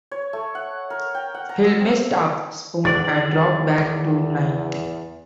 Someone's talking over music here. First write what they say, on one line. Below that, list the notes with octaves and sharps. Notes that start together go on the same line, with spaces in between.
Hill messed up, spun and dropped back to ninth.
C#5
A3
F#5
A#4
G5
F#5
A#5
E6
C4
E2 D#3 D5 F#5 A6